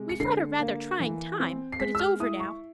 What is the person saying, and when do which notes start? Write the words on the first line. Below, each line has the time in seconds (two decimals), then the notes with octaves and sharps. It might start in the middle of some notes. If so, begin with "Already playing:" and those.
We've had a rather trying time but it's over now.
Already playing: C3 G#3
0.09 C#7
0.20 D3 C7
0.60 A#3
1.00 E3
1.40 C4
1.72 C7
1.80 G#3 B6
1.95 E6
1.99 F6
2.20 E4 D#6
2.40 C#6